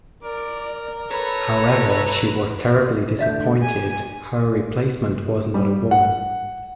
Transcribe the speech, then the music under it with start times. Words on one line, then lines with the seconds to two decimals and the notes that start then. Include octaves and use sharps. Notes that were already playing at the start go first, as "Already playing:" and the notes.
However, she was terribly disappointed her replacement was not a woman.
0.23 A#4 D5
1.11 A4 B4 C#5 A#5 B5
3.19 D3 A3 D4 D5 E5 G6
3.62 G4 G#5
5.54 G3
5.91 F#5